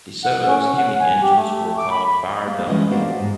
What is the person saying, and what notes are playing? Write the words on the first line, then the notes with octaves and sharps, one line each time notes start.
DeSoto's Hemi engines were called Fire Dome.
F#5
C#4
C#4
F#5
G#5
G4
A3
D6
B5
A#3 G4
E3 G#3 C#4 F4 B4 D#5
A#3 B3 D4 F#4 G4 C5
G#2